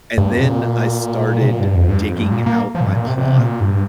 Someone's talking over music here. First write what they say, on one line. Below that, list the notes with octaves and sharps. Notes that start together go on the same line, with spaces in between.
And then I started digging out my plot
G2
F2
C3
A#2
C3
A#2
G2
F2
G2
F2
G2
A#2
A#3
F3
A#2
G2
A#2
C3
C3
A#2
G2